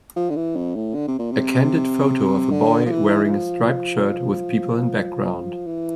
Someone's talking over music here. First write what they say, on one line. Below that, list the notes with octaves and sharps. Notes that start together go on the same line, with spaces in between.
A candid photo of a boy wearing a striped shirt with people in background.
F3
D3
E3
F2
A2
D3
C3
A#2
C3
D3
F3
E3
E3
F3
E3